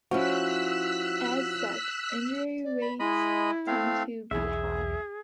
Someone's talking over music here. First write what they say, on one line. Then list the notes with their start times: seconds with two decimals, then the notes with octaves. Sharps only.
As such, injury rates tend to be high.
0.11 F3 C#4 E4 F#4 E6 F#6 B6
2.64 D5
2.82 B5
3.00 G#3 E4 D#5 B5
3.67 A3 C4 F5
4.31 B1 E2 G#4 E5